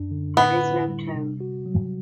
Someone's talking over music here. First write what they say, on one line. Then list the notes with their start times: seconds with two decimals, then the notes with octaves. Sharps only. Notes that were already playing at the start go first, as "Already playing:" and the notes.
There is no tone.
Already playing: F#2 D4
0.11 D3
0.37 A2 B3
0.64 E4
0.88 G3
1.14 C3
1.40 F#4
1.66 F#3